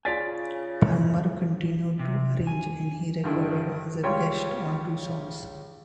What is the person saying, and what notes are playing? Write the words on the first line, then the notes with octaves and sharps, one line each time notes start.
Palmer continued to arrange, and he recorded as a guest on two songs.
C#3 F4 D5 G#5 A6 B6 D7
C3
G#5
G2 D3 D#3 E4
C#2 G3 F4 C#5 G5 C6